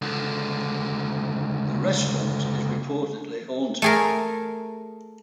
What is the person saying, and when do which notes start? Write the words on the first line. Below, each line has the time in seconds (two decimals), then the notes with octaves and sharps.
The restaurant is reportedly haunted.
0.02 C#2 D3
3.82 A3 G#4 A#4